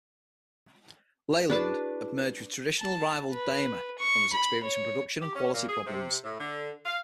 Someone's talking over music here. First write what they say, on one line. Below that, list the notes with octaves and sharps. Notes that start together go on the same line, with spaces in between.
Leyland had merged with traditional rival Daimler and was experiencing production and quality problems.
D4 E4 F#4 G#4 B4 A5
A5
B4
C#6
B5
C#5
G4
C#4
A#2
G#4
C3
A2
D3
F5